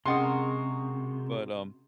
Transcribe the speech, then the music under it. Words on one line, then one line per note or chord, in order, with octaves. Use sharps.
but, um,
C3 G#3 C#4 F#4 A#4 D#5 C6 D#6